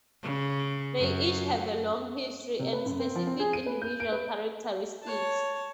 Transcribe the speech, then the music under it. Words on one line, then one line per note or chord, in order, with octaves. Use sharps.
They each have a long history and specific individual characteristics.
C#3
F#2
C3
B4
F#2
C4
F3
C4
G#4
D#7
B4
G6
D7
B4
C#5 A5